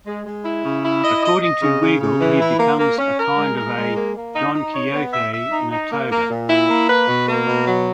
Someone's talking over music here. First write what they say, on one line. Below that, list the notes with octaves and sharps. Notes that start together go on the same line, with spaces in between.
According to Weigel, he becomes a kind of "a Don Quixote in a toga".
G#3
G#3
E4
C#3
E4
D#5
D#5
D#5
C#3
C#3
C#3
E3
E4
A#3
A#3
C#4
A#4
G#3
A#4
G#3
A#3
A#3
D#4
D#4
C#5
B3
E5
E5
D#4
D#4
A#3
A#3
A#2
E4
A#3
B4
B2
A#3
B2
F#3